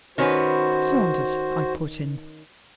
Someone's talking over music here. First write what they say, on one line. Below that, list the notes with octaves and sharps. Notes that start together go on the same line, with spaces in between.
"Saunders," I put in.
D#3 C#4 F#4 B4 C5